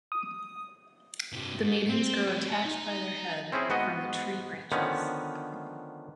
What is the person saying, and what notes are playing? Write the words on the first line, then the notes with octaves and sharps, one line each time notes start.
The maidens grow attached by their head from the tree branches.
D#6
G2 C3
G#2
C4
F3 A3
D5 G#5
D#4
C4 C#4 E4 G#4 C5
G#2 B3 F#4 D#5
D3 D#3 F3 B3 C#4